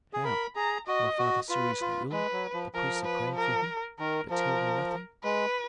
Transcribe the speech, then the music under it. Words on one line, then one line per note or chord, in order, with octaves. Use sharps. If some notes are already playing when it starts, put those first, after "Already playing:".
"How! my father seriously ill, the priests are praying for him, but tell me nothing?"
G#4
A#4 B5
G#4 A#5
F#4 D#5
F#4
F4 B4
F4
G#3 B4
F#3
F3
F3 A#4
B4
A#4
D#3 A#4
F3 A#4
G#3 B4